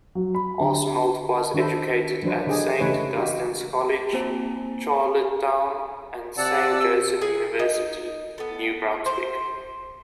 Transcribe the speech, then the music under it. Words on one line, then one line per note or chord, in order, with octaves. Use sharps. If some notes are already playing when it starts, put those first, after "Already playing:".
Arsenault was educated at Saint Dunstan's College, Charlottetown, and Saint Joseph University, New Brunswick.
F#3
B5
D3
D#3 D4 E4 A4 C5
E3 F#3 D4 B4 C5
D3 D#4 G4 G#4
C#3 E3 A3 D#4 B4 C#5
D#4 F#4 G4
A#3 C4 C5 G#5 A#5
C3 D5 F#5 A5 E6
G#4 G#5
D#4
B3 A4
C5